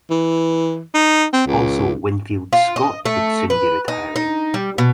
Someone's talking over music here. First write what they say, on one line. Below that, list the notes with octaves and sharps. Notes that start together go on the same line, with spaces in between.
Also Winfield Scott would soon be retiring.
E3
D#4
C4
C#2
F4
D#5
A3
B4
D#4
D#4
G3
B2